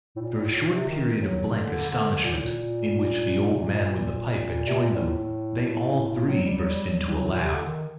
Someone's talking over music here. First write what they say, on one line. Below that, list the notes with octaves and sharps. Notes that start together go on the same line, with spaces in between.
After a short period of blank astonishment, in which the old man with the pipe had joined them, they all three burst into a laugh.
A2
A#2
A2
A#2
C3
D#3
F#3
C3
D3
D3
A#2
A2
A#2
C3
A#2
C3
A#2
A2
F#3
G3
F#3
G3
F#3
G3
F#3
A#2
C3
D3
D#3